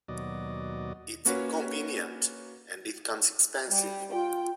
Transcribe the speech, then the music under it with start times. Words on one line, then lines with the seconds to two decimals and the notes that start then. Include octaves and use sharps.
It's inconvenient — and it comes expensive.
0.08 D#2 B2 F#3 D5 D#5
1.25 A#3 C#4 F#4 B4 C#5
3.71 G3
4.13 F4 G5